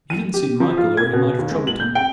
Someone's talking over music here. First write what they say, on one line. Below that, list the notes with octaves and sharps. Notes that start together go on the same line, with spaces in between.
He didn't see Michael, or he might have troubled him.
D#7
G4
F3
F4
G#6
B2
D#2
G#3
F#7
G6
G5